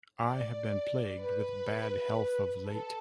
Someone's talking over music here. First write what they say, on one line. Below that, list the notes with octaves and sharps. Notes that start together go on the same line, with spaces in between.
I have been plagued with bad health of late.
D5
B4
A4